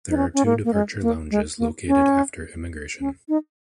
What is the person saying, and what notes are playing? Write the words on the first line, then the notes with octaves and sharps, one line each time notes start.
There are two departure lounges located after Immigration.
D#4
C#4
C#4
A#3
A#3
G#3
A#3
G#3
A#3
C#4
C#4
D#4